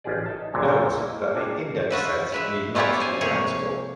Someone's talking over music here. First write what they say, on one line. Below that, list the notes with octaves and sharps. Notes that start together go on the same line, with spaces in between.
Note that the index set need not be countable.
A1 F4 G4 G#4 D5
D#4 A4 E5 A5
A#1 F2 A#2 D3 F#3
A#3 E4 D#5
A#3 D4 G#4 G5 A5
F4 F#4 B4 E5
G#3 B4 E5
B3 E4 F4 G4 A4 C#5
C5 G#5
C3 F3 A3 A#3 G#4 C#5